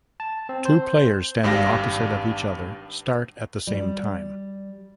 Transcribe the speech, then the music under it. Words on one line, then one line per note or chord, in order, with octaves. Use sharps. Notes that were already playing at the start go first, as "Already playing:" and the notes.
Two players standing opposite of each other, start at the same time.
A5
C4
C5
G#1 G2 D4 G4 F5 A#6
G3